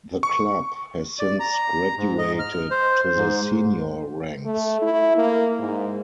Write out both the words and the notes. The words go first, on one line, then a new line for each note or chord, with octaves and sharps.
The club has since graduated to the senior ranks.
C#6
D5
A#5
G#2
D#5
F6
C5
G#2
A3
E4
A#3
G#2